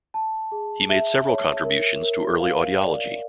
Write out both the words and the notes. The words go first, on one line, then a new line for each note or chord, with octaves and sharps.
He made several contributions to early audiology.
A5
G#4
E5
C#5
A#4
A#4
F5
D5